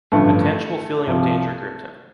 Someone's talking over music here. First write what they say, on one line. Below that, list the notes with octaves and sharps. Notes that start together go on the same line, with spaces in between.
A tangible feeling of danger gripped him.
A1 G2 D3 F3 A3
C2 C3 F3